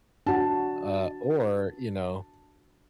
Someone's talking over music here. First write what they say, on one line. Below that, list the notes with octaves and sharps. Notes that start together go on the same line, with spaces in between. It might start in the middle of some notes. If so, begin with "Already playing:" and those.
uh, or, you know,
D4 F#4 A5